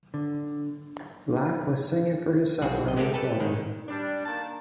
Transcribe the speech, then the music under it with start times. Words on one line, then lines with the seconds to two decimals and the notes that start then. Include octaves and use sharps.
Life was singing for his supper on the corner!
0.14 D3
2.62 B1 C4 F#4 G#4
2.84 B1 D#5
2.96 G#3 B3 C4 G4 A4 A#4
3.14 A4 B4 G5 A5
3.40 G#2 D#3
3.89 G3 D4
4.25 D#3 A#3 A5